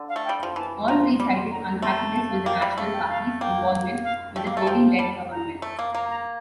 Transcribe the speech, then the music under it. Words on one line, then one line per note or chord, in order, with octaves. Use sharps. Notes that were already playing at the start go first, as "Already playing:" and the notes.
All three cited unhappiness with the national party's involvement with a "Tory-led" government.
Already playing: D3
F5
A3
G3 G5
F3
E3 A5
F3 A#5
C6
G3 D6
C6
A#5
A#5
A3 C6
A5
F5
A#3 G5
G3 G5
A3 F5
G5
F5
A#3 G5
F5
A3 G5
A#3
F5
A3 A5
F3 G5
G3 A5
A#5
A3
A#3
A#3 A#5
A#5